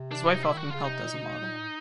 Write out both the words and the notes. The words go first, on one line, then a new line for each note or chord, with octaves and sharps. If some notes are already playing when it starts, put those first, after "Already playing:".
His wife often helped as a model.
Already playing: C3
D4
D#4
E4
D#3 F#4
D3
C#3 F4
C3 D#4
A#2
B2
A#2
A2